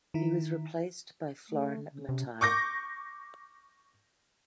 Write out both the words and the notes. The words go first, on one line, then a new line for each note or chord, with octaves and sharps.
He was replaced by Florin Matei.
D#3 E4
A3
C#3
C3
C#6 D6 G6 A#6